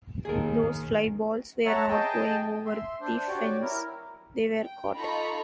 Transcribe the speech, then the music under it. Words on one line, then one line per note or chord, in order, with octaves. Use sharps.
Those fly balls were not going over the fence, they were caught.
D#2 D#3 G#4 A#4
C#5 E5 F#5 A5 A#5
G#4 D#5 G5 A5
E5 C6
D4 C5
F#4 G4 C#5 D5
E4 A#4
G5
D#4 F4 A4 A#5 B5 C#6